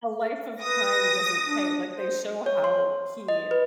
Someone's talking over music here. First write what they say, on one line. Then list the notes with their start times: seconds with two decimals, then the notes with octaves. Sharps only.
a life of crime doesn't pay. Like, they show how he
0.61 B4 D#6 A#6
1.42 D4
1.94 C5
2.46 C#5
2.64 C6
3.28 D#5
3.51 B4